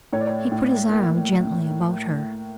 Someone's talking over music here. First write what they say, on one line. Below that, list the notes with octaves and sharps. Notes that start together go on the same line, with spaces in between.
He put his arm gently about her.
A2 C#5
D5
C#5
A2
A#3